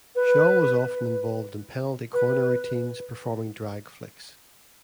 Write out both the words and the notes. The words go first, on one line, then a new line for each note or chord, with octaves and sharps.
Shaw was often involved in penalty corner routines performing drag flicks.
B4
B4